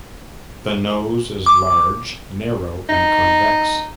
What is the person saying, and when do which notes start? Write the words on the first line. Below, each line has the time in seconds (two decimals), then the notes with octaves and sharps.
The nose is large, narrow and convex.
1.46 D6
2.89 D#4